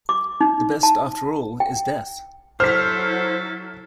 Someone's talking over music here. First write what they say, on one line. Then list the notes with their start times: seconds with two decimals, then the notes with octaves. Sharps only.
The best, after all, is death.
0.09 D6
0.41 D#4
0.83 A5
1.60 G5
2.60 F#3 E4 A4 C5 F6 B6